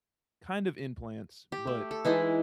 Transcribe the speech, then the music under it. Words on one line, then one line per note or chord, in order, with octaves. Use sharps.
kind of implants, but
G4
A3
A4
E3 G#3 D#4 E4